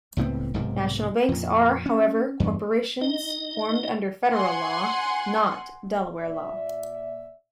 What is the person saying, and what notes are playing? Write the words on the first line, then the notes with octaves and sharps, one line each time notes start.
National banks are, however, corporations formed under federal law, not Delaware law.
C#2 A2 B3 C4
B1 G#2 C3 D#3
F2 A#2
C#4
E2 G2
D#4 D#5
F#5 G#5 C6
A#2 D5 E5